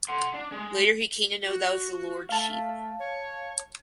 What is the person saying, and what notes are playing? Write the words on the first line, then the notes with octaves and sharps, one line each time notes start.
Later he came to know that was the Lord Shiva.
F#5 C6
D4
G#3
F#4
A3 F5 A5
C#5